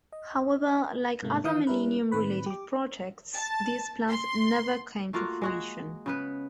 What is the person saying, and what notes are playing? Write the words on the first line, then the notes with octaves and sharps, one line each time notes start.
However, like other Millennium-related projects, these plans never came to fruition.
D#5
G#2 C3 A3 A#3
D#3 E3 D#4 F5 D#6 G6
G3 C#4 E4 A#4 B4
A2 D#3 C4 B4 B5
G4 D6
A5
C6
A3 A#3 F4 F#4
G#3 F#4 G#4
C#3 B3 B4